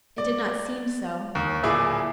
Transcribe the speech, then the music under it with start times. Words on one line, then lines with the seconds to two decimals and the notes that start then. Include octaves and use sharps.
It did not seem so.
0.18 D5
1.35 D#2
1.63 D1 A#2 E4 G#4 D6